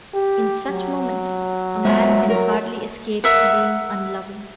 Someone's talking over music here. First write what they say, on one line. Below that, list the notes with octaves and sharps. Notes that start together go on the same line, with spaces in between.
In such moments a man can hardly escape being unloving.
G4
F#3
G#3 C5 E5
F#3 A#4
A#4 E5 F#5